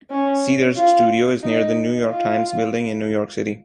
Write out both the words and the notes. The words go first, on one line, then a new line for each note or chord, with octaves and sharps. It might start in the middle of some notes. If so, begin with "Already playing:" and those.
Seder's studio is near the New York Times building in New York City.
C#4
F4
D#4
F4